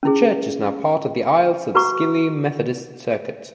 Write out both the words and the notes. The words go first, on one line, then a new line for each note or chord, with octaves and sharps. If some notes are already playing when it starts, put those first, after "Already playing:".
The church is now part of the Isles of Scilly Methodist Circuit.
C#4 E4 G#4
F#4 B4 F#5 A#5 C#6